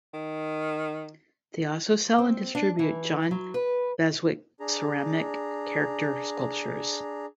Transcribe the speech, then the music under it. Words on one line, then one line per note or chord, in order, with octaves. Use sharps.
They also sell and distribute John Beswick ceramic character sculptures.
D#3
C4
D4
E3
F#3
B4
D4 G#4 A#5